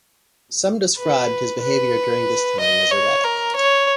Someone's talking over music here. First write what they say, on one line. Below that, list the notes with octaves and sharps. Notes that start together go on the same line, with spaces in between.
Some described his behaviour during this time as erratic.
B4
B4
D#5
C#5
A#4
C#5